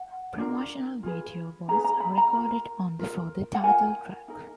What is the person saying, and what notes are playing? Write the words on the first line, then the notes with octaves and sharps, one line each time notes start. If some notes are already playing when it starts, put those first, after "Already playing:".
Promotional video was recorded only for the title track.
Already playing: F#5
D4 F4 A#4
F4 G#4 B4
D#4 G#4 B4 A#5
A#5
B5
A#5
F4 A#4
F4 A#4
F#5
F4 A#4 G#5
D#4 A#4